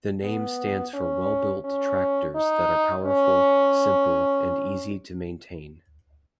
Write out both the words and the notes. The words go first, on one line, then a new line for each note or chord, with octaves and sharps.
The name stands for well-built tractors that are powerful, simple and easy to maintain.
B3
C#4
C#4
D#4
C#4